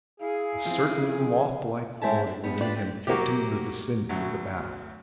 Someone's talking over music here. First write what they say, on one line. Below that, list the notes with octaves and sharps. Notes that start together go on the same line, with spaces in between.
A certain mothlike quality within him kept him in the vicinity of the battle.
E4 G#4 F5
F3 C4
G#2 G#3 C4 E5 G#5 A5
D4
G3 B3
D4 F4 G4 B4 D5
C4
F#3 A#3 F#4 G4
D2 F#3